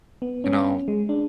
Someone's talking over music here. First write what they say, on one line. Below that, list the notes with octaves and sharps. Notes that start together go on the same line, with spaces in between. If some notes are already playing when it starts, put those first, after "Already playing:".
you know,
B3
C#4
G#3
D4